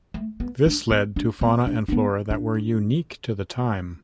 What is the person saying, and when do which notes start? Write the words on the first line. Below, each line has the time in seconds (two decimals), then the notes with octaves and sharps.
This led to fauna and flora that were unique to the time.
0.14 A3
0.40 B3
0.66 D4
0.91 B3
1.16 D4
1.41 B3
1.67 D4
1.88 D4
1.92 B3
2.31 D4